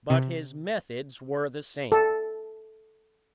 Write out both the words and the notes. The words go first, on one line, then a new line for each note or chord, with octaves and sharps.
But his methods were the same.
C3
A4